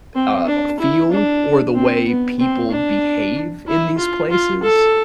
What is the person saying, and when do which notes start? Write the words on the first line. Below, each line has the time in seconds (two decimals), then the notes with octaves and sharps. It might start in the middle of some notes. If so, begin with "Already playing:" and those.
uh, feel, or the way people behave in these places,
0.15 C4
0.47 D4
0.80 E4
1.12 D4
1.75 C4
2.07 B3
2.39 C4
2.71 D4
3.67 E4
3.98 F4
4.31 F4
4.63 A4